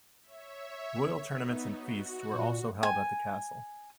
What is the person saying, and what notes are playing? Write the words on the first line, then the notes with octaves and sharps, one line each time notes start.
Royal tournaments and feasts were also held at the castle.
C#5 E5
B3 D#4
F#4
A#2
G#5